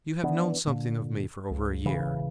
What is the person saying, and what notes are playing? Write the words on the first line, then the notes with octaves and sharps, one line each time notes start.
You have known something of me for over a year.
E3 B3 D4
A#2 D3
C#2
E1 A1 C#3 E3